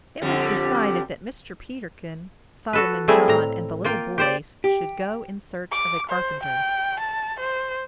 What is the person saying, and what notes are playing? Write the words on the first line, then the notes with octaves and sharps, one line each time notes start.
It was decided that Mr. Peterkin, Solomon John, and the little boys should go in search of a carpenter.
F2 D3 G3
F#4 A4 B4
G3 A3 C4 E4 G#4
A2 A#5
A#3 F4 G5
G4 C5 D5
G4
D6
C5
G5
A5
C5